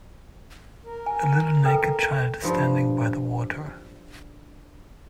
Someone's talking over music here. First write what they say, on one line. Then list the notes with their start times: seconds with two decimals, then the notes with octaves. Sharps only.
A little naked child is standing by the water.
0.85 A#4
1.06 G#5
1.65 A4 B4 G5
2.43 G2 F3